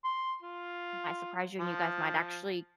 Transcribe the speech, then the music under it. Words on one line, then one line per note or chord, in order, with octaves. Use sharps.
it might surprise you and you guys might actually
C6
F4
F3